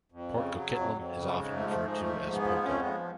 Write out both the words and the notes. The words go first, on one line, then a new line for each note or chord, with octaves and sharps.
Port Coquitlam is often referred to as PoCo.
F2
C#3
F#3
F2
F2
C#3
G#2 G#3
A3
F3
A3
G#2 G#3
F3 A3
G#2
G#3 B3
F3
F2 A3 C#4
G#3 B3
F3